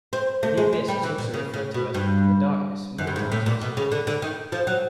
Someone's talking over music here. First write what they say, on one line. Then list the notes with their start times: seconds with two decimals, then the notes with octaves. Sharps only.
The Abyss is also referred to as "the Darkness" many times in the series.
0.13 C4
0.43 A3
0.57 G#3
0.73 G#3
0.88 G3
1.03 E3
1.18 A#2
1.34 C#3
1.54 C#3
1.74 B2
1.94 G2
2.98 F#2
3.07 G2
3.16 G#2
3.32 A2
3.46 A#2
3.61 B2
3.77 C#3
3.92 D3
4.07 D3
4.22 D#3
4.52 F3
4.67 F#3